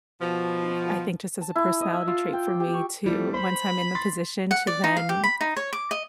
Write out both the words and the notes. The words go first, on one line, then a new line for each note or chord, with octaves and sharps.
f I think, just as a personality trait for me to once I'm in the position to then m
B2 F3
A5
E4
D#5
E5
F4
G5
D6
G4
C#6
E3 G3 A3
C5 B5
C6 A6 B6
F#5
D5
D#4
F5
G4
B5
D#4
C#5
D6
D#5